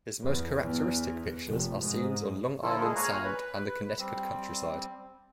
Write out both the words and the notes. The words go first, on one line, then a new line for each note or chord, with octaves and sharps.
His most characteristic pictures are scenes on Long Island Sound and the Connecticut countryside.
E2
E2
F1
G#2
D3 F3 A#3 E4 F4 A4
G#3 G#4
A#2 C#5 F5 G#5 A#5 F#6
B4
G3 C4